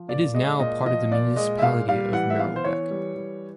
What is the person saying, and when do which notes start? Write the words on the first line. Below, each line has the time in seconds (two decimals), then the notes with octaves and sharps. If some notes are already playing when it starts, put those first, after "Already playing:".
It is now part of the municipality of Merelbeke.
Already playing: F3
0.08 A#2 D5
0.34 G#3 D#5
0.60 A#2 D#5
0.85 F3 D#5
1.11 A#2 D5
1.36 G#3 D#5
1.59 E5
1.62 A#2 F5
1.88 G3 F5
2.13 E3 F#5
2.30 E5
2.39 B3 F5
2.56 C5
2.64 E3 C#5
2.91 G3
3.16 E3